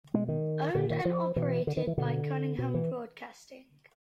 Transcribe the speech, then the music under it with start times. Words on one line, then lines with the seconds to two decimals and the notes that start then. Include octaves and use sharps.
Owned and operated by Cunningham Broadcasting.
0.14 B2 G#3
0.28 D#3
0.75 A#2 D3
0.90 D#3
1.05 F3
1.36 B2 E3
1.67 D3
1.77 D#3
1.87 E3
1.98 B2 D3
2.58 B2
2.74 E3